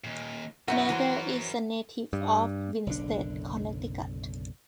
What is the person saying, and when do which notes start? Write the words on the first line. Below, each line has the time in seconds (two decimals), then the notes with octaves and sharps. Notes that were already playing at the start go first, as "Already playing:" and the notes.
Nader is a native of Winsted, Connecticut.
0.04 D#2 A#2
0.68 F#2 B2 E4 F#4 C#5 F#5
0.89 E3 F#3 F#4 A#4 C5
2.13 G2
2.87 F#1 B1 D3 D4